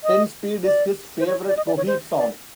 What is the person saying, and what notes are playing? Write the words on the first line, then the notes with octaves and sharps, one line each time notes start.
Ten Speed is his favorite Coheed song.
D#5
D5
C5
C#5
D5
D#5
D5
C#5
C5
D5